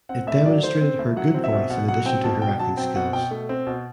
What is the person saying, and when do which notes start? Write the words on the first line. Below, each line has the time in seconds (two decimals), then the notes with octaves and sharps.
It demonstrated her good voice in addition to her acting skills.
0.09 C4 F#5
0.27 A2 E5
0.46 F#3 D5
0.63 A3 C5
0.81 C4
0.99 A2
1.16 F#3 F#5
1.34 C4
1.44 E5
1.52 B2
1.70 B2 F#5
1.88 F#3 F#5
2.06 C4 G5
2.24 B2 A5
2.42 B2 G5
2.59 F#3 A5
2.77 C4 G5
2.96 B2 F#5
3.13 B2 G5
3.31 A3
3.49 C4
3.67 B2